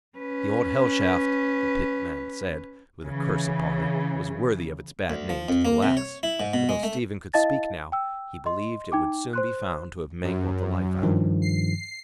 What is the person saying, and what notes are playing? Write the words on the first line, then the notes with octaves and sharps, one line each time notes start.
The Old Hell Shaft, the pitman said, with a curse upon it, was worthy of its bad name to the last; for though Stephen could speak now, he believed it would soon be found to have mangled the life out of him.
C#4 B4
C#3 E3
D2
F3
F2
A#3
C3
C#5
E4
G#2
B2
G#3
A3
E4 D#5 F5 A5 A6
G5 E6
D#5 C6
D#4 G5 D6
C5 C6 F#6
F#2
G2 D#3 F3
C7